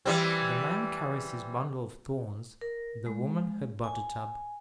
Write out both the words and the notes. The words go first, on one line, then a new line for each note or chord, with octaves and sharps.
The man carries his bundle of thorns, the woman her butter-tub.
E3 G3 C4
A#4
G#3
G#5